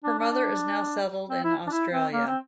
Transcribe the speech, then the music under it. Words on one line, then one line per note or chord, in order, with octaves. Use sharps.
Her mother is now settled in Australia.
D4
D4
D4
C4
E4
D4
E4
C4
A#3
C4